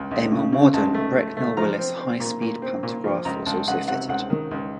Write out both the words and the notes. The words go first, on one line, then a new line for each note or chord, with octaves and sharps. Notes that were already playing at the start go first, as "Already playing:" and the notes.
A more modern Brecknell Willis high speed pantograph was also fitted.
Already playing: C#2
C#2
C#3
C#3
C#2 A5
A3
A3
A3
F3 A#5
C4
C4
A#2
A#2
C4
A#2
F3
C#2 A#5
C#2 A5
C#2 F#5
C3 F#5
C#2 F#5
D#3
C#2